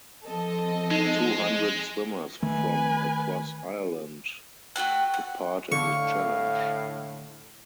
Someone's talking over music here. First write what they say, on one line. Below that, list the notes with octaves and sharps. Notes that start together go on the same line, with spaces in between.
Two hundred swimmers from across Ireland took part in the challenge.
F3 C4 A4 D#5
G#3 D#4
D#3 A3 B4 G#5
A3 F#4 G5 F#6
F#5
A2 D3 F5 C#6